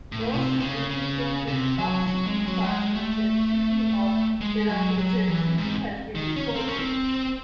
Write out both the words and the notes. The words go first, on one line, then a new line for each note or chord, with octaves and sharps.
No significant genotoxicity, carcinogenicity or teratogenicity has been reported.
A2
C3
C#3
C#3
C3
F#3
F#3
G#3
F#3
G#3
A3
G#3
F#3
F#3
E3
G#2
D#3
C#4
C4
C#4
C4